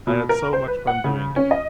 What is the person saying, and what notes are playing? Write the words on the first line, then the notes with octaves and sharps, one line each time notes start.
I had so much fun doing it.
B2
A#4
C5
B4
F#5
C#3
C#4
D#5